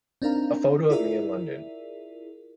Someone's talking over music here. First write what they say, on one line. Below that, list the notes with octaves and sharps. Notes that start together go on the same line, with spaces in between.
A photo of me in London!
C4 D4 D#4 A#4 F5 A#5
E4 F4 G#4 A#4 D5 E5